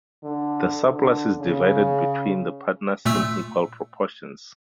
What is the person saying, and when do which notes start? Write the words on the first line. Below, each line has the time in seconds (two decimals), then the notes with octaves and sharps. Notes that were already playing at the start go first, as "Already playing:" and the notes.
The surplus is divided between the partners in "equal proportions".
0.24 D3
0.89 D3
1.40 C#3
3.05 A#2 A3 E6